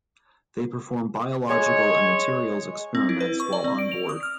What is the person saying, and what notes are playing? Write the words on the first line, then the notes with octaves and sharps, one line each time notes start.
They performed biological and materials experiments while on board.
G#3 C#5 D#5 C#6
C4
E4
B4
C#6
D5
C4
D7
F7
D#6
F6